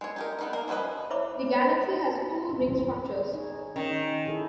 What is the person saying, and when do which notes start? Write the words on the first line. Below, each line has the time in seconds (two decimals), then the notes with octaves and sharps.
The galaxy has two ring structures.
0.01 G#3 C#5
0.16 D#4 G4 A#4
0.39 B3 D#4 D#5
0.53 A#3 A#4 D#5
0.68 F3 C#4 F#4 B4 D#5
1.10 E4 C5 C#5 E5 B5 D6
3.33 D#4 G#4 C#5
3.76 D#3 C#4
4.25 E4 G#4 A4